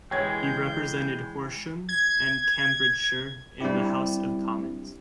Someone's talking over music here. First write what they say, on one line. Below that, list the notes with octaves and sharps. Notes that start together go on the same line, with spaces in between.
He represented Horsham and Cambridgeshire in the House of Commons.
E3 G#3 C#5 G5 G6 G#6
G#6
G3 C4 D4 E4 G4